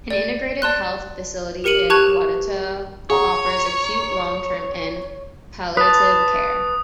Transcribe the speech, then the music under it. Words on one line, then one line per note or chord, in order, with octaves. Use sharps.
An integrated health facility in Wawota offers acute, long-term and palliative care.
D5
D5 A5 C6 F#6
G4 A#4 C#7 D#7 F#7
G4 A5 C#6 F#6 G#6 F7
G#4 C#5 F#5 A#5
B4 A5 D#6